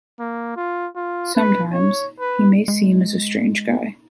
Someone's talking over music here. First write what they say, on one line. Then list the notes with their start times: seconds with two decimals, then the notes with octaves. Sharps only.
Sometimes, he may seem as strange guy.
0.19 A#3
0.56 F4
0.96 F4
1.35 B4
1.73 C#5
2.20 B4
2.68 G#3